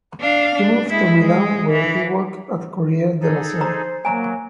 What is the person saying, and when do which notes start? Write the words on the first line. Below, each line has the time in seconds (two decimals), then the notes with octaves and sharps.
He moved to Milan where he worked at Corriere della Sera.
0.21 D4 F5
0.55 D4
0.89 G#3 E4
1.17 G#3
1.71 E3
3.22 D#4 G#4 A4
3.61 C5 A#5
4.05 F#3 A#3 G#5 A#5